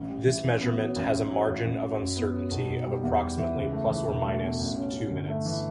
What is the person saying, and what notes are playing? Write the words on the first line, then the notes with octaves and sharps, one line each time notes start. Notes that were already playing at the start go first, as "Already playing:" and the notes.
This measurement has a margin of uncertainty of approximately plus or minus two minutes.
Already playing: A1
G3
E3
A1
B3
F#3
A1
A1
F#3
A1
A1
F#3
F#2
B3
F#3
B1
B1
G3
E2
G3
E3
C#2
A3
E3
E1
A3
B2
A1
C#4
F#3
G1
A3
E3